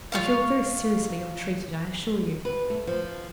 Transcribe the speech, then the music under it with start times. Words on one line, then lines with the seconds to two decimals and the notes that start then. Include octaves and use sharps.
I feel very seriously ill-treated, I assure you.
0.12 F4 C#5 F5
2.45 B4
2.70 A3
2.87 F3